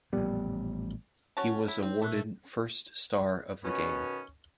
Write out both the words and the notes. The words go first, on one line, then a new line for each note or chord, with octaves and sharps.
He was awarded first star of the game.
A1 A#2 F3 G3 B3
C#4 F#4 C#5 F#5 A5 C#6
E4
C4 D#4
A#2 A3 F#6
B2 D#3 B3 C#4